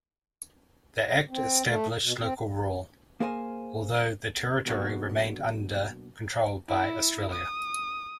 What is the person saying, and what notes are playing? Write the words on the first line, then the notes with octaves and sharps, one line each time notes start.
The Act established local rule, although the territory remained under control by Australia.
C4
A3
B2
C4
A#3 G#4 A#4 C5 E5 G#5
B2 F#3 A#3 B3 D4 F#4
E4
D#6